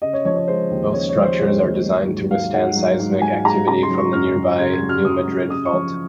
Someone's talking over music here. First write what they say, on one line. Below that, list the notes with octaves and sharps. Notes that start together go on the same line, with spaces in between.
Both structures are designed to withstand seismic activity from the nearby New Madrid Fault.
C#3 D#5
C#5
F3 C#5
C#5
G#3 C5
D#2
C#3 C#5
C#5
F3
C5
G#3 C#5
D#2
F#3
G#2
F#3 F5
G#2 F#5
F#3
G#2
F#3 G#5
G#2 A#5
C#3 A#5
C6
F#3
C#6
F#2 F6
F#2
C#3 G#6
G#6
F#3
F6
F#2 D#6
F#2
C#3 D#6
C#6
F3